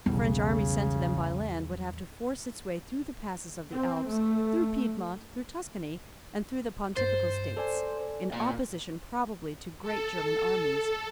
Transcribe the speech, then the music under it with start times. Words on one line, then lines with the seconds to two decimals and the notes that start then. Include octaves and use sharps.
A French army sent to them by land would have to force its way through the passes of the Alps, through Piedmont, through Tuscany, and through the Pontifical States, in opposition probably to great German armies.
0.06 B1 E2 C#3 G3 B3 E4
3.71 C4
4.08 A3
6.96 G2 C5 A6 C7
7.57 A4 D5 G#5
8.34 A#2 G#5
9.82 A4